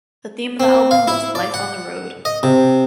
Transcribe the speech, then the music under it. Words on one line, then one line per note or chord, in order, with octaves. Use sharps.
The theme of the album was life on the road.
C4
F5
E4
D5
F#5
D#5
C3